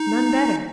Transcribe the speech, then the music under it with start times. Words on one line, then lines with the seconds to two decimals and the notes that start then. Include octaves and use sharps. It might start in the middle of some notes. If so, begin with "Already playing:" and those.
"None better."
Already playing: D#4